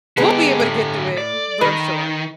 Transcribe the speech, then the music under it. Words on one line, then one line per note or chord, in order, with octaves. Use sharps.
we'll be able to get through it, but I'm sure.
D3 G#3 B3 G4
A2
D5
D#3 B4